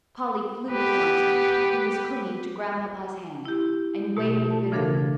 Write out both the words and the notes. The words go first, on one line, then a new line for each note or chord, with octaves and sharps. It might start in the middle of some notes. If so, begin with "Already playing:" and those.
Polly flew to Phronsie, who was clinging to Grandpapa's hand, and wailing bitterly.
B3 G4 B4
E4 G4
B2 A3 G4
A5
C#3 E3 D4 A4 A#4 F5